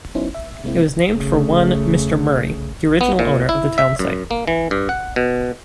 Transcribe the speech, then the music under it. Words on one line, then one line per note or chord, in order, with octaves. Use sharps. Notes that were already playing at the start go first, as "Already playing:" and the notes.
It was named for one Mr. Murray, the original owner of the town site.
F#3 B3 C#4 D#4 E4 C5
E5
C3 G#3 A#3 C4 E4
C#3 A3
B3
A#2
E4
E5
F#2
A#3
E3
G2
F#5
B2